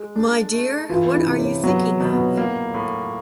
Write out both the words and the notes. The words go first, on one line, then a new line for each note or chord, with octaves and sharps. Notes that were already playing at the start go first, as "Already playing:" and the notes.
My dear, what are you thinking of?
Already playing: G#3
D4
A3
E3 F4
E4
C3
C#4
F#3 B3
B2
B3
A#3
A2